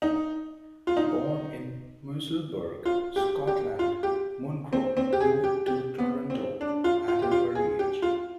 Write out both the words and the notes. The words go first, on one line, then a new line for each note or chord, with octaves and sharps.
Born in Musselburgh, Scotland, Munro moved to Toronto at an early age.
D#4
F4
D#4
F4
G4
G4
F4
G4
C4
C4
G4
G#4
G4
G4
B3
C4
D4
F4
F4
G4
F4
G#4
G4
F4